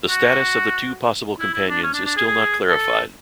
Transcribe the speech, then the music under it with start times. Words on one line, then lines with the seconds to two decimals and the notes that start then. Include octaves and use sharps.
The status of the two possible companions is still not clarified.
0.10 F#4
1.40 E4
1.54 E4
1.69 D4
1.83 C#4
1.94 D4
2.05 D4
2.16 G#4
2.27 G#4
2.70 A4